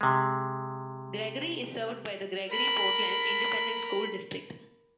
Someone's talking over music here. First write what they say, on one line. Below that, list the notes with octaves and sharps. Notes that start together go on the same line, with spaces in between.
Gregory is served by the Gregory-Portland Independent School District.
C3 G#3
A#4 B5